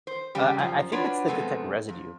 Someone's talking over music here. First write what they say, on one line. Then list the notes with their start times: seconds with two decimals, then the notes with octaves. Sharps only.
Uh, I I think it's to detect residue,
0.07 C5
0.35 C#3 G3 G4
0.59 F#2 F3
0.92 D4 F4 F#4 B4 C#5 D5
1.28 F2 G#2 C3 G#3 A3 B3
1.89 F2